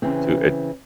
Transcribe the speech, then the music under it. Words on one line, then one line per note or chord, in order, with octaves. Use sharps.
to ach
C#3 E3 C4